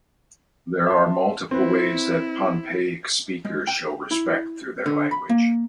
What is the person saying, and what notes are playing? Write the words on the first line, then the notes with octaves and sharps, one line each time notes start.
There are multiple ways that Pohnpeic speakers show respect through their language.
E5 A5 C6
C4 E4 B4
G#3
G5
E4
D3
B5
A#3